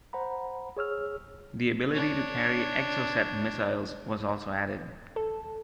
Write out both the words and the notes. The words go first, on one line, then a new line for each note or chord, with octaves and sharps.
The ability to carry Exocet missiles was also added.
C5 F#5 A#5 B5
G#4 C#5 E6 F6
D4 C#5
A4